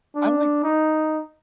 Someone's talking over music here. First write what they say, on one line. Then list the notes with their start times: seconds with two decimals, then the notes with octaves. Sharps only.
I like
0.15 D4
0.64 D#4